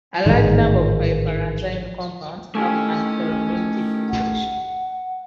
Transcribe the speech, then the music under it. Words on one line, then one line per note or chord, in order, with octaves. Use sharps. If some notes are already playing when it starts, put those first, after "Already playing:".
A large number of piperazine compounds have anthelmintic action.
A1 G#2 D#3 G#3
D#3 A3 C#4 E4 G4
F#5